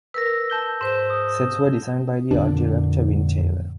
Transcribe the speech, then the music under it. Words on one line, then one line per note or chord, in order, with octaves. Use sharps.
Sets were designed by the art director Vin Taylor.
A#4 B4 E6 A#6
A5 G6 G7
G#2 C5 E7
D#6
F2 A#2 D3 D4